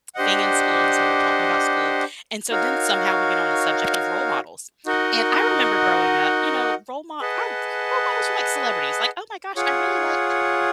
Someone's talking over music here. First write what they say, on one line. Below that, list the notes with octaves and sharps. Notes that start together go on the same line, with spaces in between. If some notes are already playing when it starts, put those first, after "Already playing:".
thing in school and so we're talking about school and so then somehow we get on the subject of role models and I remember growing up, you know, role mo our role models were, like, celebrities like, "Oh my gosh, I really like
D4 G4 C5 D#5 F#5
D#4 F#4 A#4 C#5 F5
D#4 F#4 A#4 D#5 F#5
G#4 B4 D#5 F#5 A5
F4 G#4 C#5 F#5